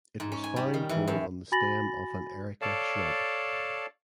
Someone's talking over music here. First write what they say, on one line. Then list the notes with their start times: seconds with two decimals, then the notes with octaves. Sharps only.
It was found growing on the stem of an "Erica" shrub.
0.20 G#2
0.32 C#4
0.44 G#5
0.56 G3
0.74 D#3
0.89 E3
1.08 F#2
1.52 F#4 G#5 B5 A6 A#6 F#7
2.62 A4 C#5 D5 F5 A5